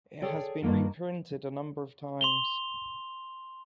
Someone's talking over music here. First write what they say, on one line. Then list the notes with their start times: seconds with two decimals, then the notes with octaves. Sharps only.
It has been reprinted a number of times.
0.22 G#4 A4 C#5 D5 G5
0.62 G2 D#3 A#3 F4 A4
2.21 C6 F7 G7